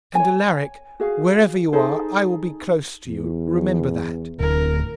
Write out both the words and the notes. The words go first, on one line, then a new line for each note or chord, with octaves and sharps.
And, Alaric, wherever you are I will be close to you, remember that.
C#5 G#5
F#4 G#4 F5
D#4 G#4 A4 C5
E2
D1 A#4